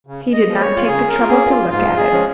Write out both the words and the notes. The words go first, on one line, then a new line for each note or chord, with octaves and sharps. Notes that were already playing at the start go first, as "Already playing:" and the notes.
He did not take the trouble to look at it.
C#3
D#5
F3 G#3
C#5
F4
C#3 G#4
A#4
F4
A#3 C#4 G#4
F4
G#2 F4
G#4
F3 G#3 C#4